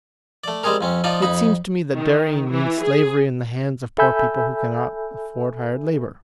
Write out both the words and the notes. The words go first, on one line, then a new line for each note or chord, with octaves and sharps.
It seems to me that dairying means slavery in the hands of poor people who cannot afford hired labour.
A3 D5
G3 G#3 C4 G#4 A#4
F2 C4 C#4
F3 D#4 F4 D5 D#5
F2 D#4 B5 D#6
D#3
E3
G#4
A4 E5 G#5 B5 E6 G6